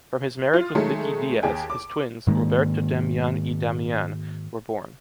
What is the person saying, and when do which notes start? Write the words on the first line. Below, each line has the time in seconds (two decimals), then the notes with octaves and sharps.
From his marriage with Vicky Díaz, his twins, Roberta Damián y Damián, were born.
0.54 F4
0.75 D#3 F#3 G#3 A3
1.43 D#2 G#4 G5
1.70 D6
2.27 G#2 D#3 G#3 A#3